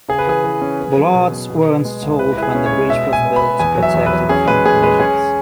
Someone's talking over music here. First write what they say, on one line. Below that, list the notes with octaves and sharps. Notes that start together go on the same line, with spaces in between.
Bollards were installed when the bridge was built to protect it from collisions.
C#3 G#4
B4
E3 G#4
E3
C#4
B3
F#3
B2
B3
B2
B3
G#3
C#2
E4 B4
E4 B4
G#4
C#4
C#5
G#3
B2 E5
B2
G#5
B3
B5
B3
E2 G#5
F#3 E5
E2
B4
F#3
C#4 G#4
G#3 B4
G#3 G#4
G#3 B4
C#4 G#4